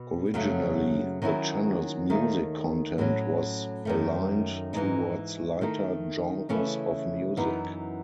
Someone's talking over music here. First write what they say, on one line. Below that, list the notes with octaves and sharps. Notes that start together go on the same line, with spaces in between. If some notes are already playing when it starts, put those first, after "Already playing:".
Originally, the channel's music content was aligned towards lighter genres of music.
Already playing: B2
F#2 C#3 F#3 A3
D#3 F#3 C#4 E4
D#2 D#3 A3 D#4
A2 F#3 C#4
F#2 D#3 A3
G#2 E3 G#3 D#4
D#3 A3 D#4
C#3 E3 A3 C#4 E4
F#2 E3 B3 D#4